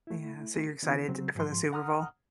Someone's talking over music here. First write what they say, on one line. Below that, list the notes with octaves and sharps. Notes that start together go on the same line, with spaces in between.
Yeah. So you're excited for the Super Bowl?
A3 E4
D#3 B3 D4 E4
C#3 F#3 C4
G#2 F3 C6
F#5 A#5 D#6 F6